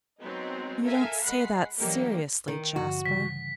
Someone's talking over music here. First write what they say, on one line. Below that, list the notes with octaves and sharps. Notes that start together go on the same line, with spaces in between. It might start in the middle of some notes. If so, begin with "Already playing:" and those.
'You don't say that seriously, Jasper?'
F#3 G#3 B3 C4 D#4
A4 A#4 E5 F5 G#5
G#3 F#5 B5 C7
D3 E3 F#3 A#3 D#4 G4
D#3
G2 D3 F3 F#4
C#3 E3 G3 B6